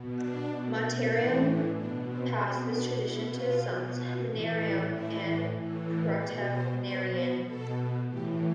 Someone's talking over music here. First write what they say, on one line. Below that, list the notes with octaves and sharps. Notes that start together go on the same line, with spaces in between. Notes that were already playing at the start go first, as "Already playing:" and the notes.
Motiram passed this tradition to his sons, Maniram and Pratap Narayan.
Already playing: B2
D4
B2
A2 E3 D4
B2 D4
C4
B2 C4
D4
B2 E4
F4
B2
F4
A2 E3 E4
E4
A2 E3 E4
A2 E3
B2 B4
C5
B2 C5
B4
B2 A4
A2 E3 G4